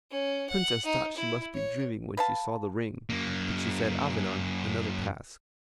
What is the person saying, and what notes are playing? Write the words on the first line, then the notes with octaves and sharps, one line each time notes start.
The Princess thought she must be dreaming when she saw the ring, but she set Avenant another task.
C#4
F#5
D#4
E4
C#5
B4 F5 A5
F#2 A#3